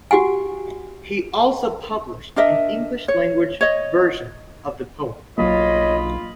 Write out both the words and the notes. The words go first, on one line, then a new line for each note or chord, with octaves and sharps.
He also published an English-language version of the poem.
F#4 G4 F#5 G#5
D4 A#4 D#5 E5
C#5
C#5 D#5
B1 F#3 A#3 F4 C#5 D#5 B5